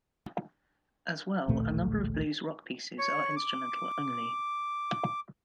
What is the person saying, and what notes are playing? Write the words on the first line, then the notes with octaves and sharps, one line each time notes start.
As well, a number of blues rock pieces are instrumental-only.
A1 D2 A#2 A3
C#5
D6